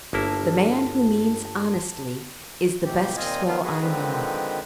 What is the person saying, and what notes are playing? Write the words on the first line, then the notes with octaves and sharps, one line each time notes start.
The man who means honestly is the best swell I know.
G1 A#3 E4 A5
G#2 B2 E3 G4
D#2 A#2 C4 F4 D#5 G#5
D#3 F#3 B3 F4
F#4 G#4 B4
D3 D#3 F3 G#3 C4 B4